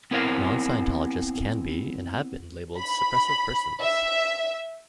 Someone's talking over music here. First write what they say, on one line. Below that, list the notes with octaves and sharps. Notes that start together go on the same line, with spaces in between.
Non-Scientologists can be and have been labelled Suppressive Persons.
B3 C4 E4 A#4 C#5 F5
B5
E5